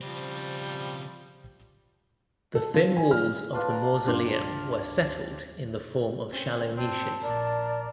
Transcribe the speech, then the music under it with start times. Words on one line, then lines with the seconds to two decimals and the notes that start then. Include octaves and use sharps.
The thin walls of the mausoleum were settled in the form of shallow niches.
0.01 C#3 F3 G3 C4
2.55 A4
2.74 F3
2.97 G#5
3.11 F6
3.53 D4 F4 B4 F5 A5
3.70 G5 A#5
4.07 G2 F4 G4 D5 C6
6.30 C4 C#4
6.77 G2 C4 A5
7.23 A#1 A#2 A#4 D5